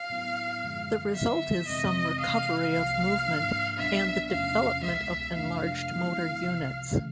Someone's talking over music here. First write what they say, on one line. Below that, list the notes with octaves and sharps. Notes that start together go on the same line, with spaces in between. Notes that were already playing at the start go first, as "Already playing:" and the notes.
The result is some recovery of movement and the development of enlarged motor units.
Already playing: F5
A2 F#3 B3 E4
F#2 D3 F3 G#3
G2 D3 F#3 B3 E5
F2 C3 E3 G#3 C4 D#5
C3 E3 G#3 F5
C2 C3 F3 A#3 F5
G#2 F3 A#3 D4
C2 B2 F#3 B3 D4 E5
E2 C3 F3 A3 C#4 F5
C#2 B2 G#3 B3 E5
F2 C3 F3 A3 D4 F5
G2 E3 G#3 B3 E4
C2 C3 F3
C#3 E3 A3